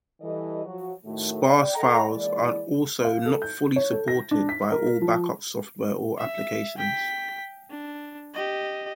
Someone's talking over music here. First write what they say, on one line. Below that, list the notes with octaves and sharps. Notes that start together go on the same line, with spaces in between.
Sparse files are also not fully supported by all backup software or applications.
E3 G3 A4 D#5
F3 F#3 F#4
A2 D#3 A3 F#4
D5 G5
A4 D#5 F#5 G5 A#5
E3 G#3 A#3 E4 D5
F5
A4
G6
C#5
A4
A#6
D4
B6
A#4
F3
E5
G5 B6
D4
G4 D#5